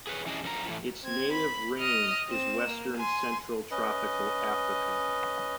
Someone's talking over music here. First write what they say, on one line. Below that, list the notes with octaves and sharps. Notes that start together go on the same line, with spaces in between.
Its native range is western central tropical Africa.
G#4 B4 C#5
E3 C#4 D4 G#4 D#5
F#2 D3 F3 G4 A#5
A2 E3
C4 G#6
B5
D#5 F6
C4 E7
A#3
G#5 C6
C#4 B4 D#5